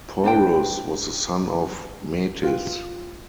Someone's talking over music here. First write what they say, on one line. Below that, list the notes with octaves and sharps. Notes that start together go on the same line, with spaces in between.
Porus was the son of Metis.
D4 B4 C5 G5
F4 B4 G5